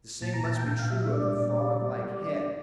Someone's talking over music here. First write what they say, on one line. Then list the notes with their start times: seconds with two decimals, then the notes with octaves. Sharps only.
The same must be true of the froglike head.
0.21 A#2 A5
0.34 A#5
0.45 A#2 A5
0.56 G5
0.67 A#2 G5
0.79 F5
0.90 G3 E5
1.02 E5
1.13 D4 D5
1.35 A#2
1.59 G3
1.82 G3
2.04 G3
2.27 D4